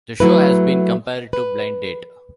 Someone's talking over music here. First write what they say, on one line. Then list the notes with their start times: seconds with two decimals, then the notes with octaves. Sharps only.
The show has been compared to "Blind Date".
0.20 F#3 A3 E4 B4
1.33 B4